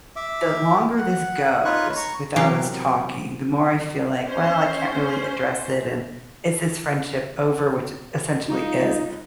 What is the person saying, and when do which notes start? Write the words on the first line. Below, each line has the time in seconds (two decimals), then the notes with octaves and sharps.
the longer this goes without us talking, the more I feel like, "Well, I can't really address it," and, "is this friendship over," which it essentially is,
0.16 E5 D6
0.98 F#5
1.65 D#4 F4 B4 C#5 C#6 F#6
1.97 A#5 C#6
2.36 C3 E3 F#3 G4 A#4 F5
4.23 C#4 C5
8.48 D#4 F4